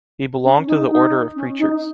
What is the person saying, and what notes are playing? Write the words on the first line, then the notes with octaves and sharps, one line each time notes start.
He belonged to the order of preachers.
C#4
D#4
D#4
C#4
D#4